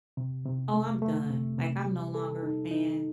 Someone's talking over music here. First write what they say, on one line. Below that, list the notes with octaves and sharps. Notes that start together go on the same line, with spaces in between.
"Oh, I'm done. Like, I'm no longer a fan."
C3
C3
A3
A3
C3
C3
G3
A4
D#4
D#4